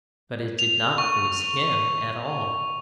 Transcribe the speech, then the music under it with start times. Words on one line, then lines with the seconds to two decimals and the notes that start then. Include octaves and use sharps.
But it did not please HIM at all.
0.59 F7
0.98 C#6